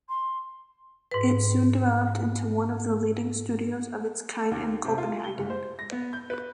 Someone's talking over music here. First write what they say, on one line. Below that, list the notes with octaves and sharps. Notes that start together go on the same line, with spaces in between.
It soon developed into one of the leading studios of its kind in Copenhagen.
C6
G#2 B4
D#2
C3
F4
G7
F#1
C5
A#6
B3
G6
B4